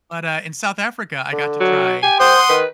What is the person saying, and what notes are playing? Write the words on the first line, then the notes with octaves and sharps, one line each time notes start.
But, uh, in South Africa, I got to try
D3
F#3
G4 G#5
C5 F#5 C6 D#6
D#3 B4